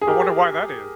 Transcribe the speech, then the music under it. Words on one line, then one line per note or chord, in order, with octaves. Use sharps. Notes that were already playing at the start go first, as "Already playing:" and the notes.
I wonder why that is.
G#4
G4 A#4